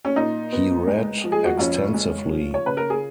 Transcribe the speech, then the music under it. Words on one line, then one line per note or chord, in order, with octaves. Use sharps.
He read extensively.
C#4
A#2 D#4
B3
G#3
F3
G#4
F#4
F2 C#4 F4
G#3
F3
C#5
C#3 B4
A#4
G#4